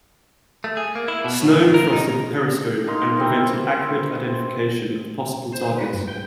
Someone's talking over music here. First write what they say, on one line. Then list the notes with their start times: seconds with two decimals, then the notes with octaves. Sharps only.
Snow frosted the periscope and prevented accurate identification of possible targets.
0.64 A3
0.77 G#4
0.95 A#3
1.08 E4
1.24 B2
1.41 A2
1.59 D2
1.74 A#4
1.93 D#4
2.87 A#3 D#4 F5 C6
3.17 E3 C4
5.53 C5
5.76 B4
5.93 G2
6.08 G5